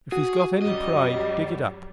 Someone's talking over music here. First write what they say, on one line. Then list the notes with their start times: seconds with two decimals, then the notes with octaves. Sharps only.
If he's got any pride, dig it up.
0.12 F#4 G#4
0.62 F#2 F#3 G3 D#5